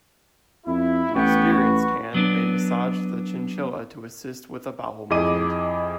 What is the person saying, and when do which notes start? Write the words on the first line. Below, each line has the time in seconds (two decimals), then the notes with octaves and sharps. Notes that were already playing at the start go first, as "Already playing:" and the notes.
An experienced hand may massage the chinchilla to assist with a bowel movement.
0.67 F2 E4
1.15 A1 B3 G5 C#6
1.52 F#4 B4 C#6
2.14 F#3 B3 D4
5.10 F2 E4 G#4 D#5 D6 D#7